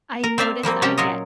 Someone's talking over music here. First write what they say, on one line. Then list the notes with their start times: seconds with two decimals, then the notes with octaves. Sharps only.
I noticed I get
0.24 A#4
0.38 C4 C5 D5 E5 F5
0.63 F3 G3 A#3 C4
0.82 C3 C#4 G4 G5 A5 A#5
0.98 A#2 F#3 F4 A#4 C#5 D#5